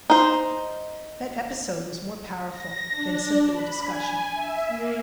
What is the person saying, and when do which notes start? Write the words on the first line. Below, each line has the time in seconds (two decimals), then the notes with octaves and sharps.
That episode was more powerful than simply a discussion.
0.10 D#4 C5
2.48 A#6
2.91 D4
3.51 B5
3.83 G#5
4.34 E5
4.68 A#3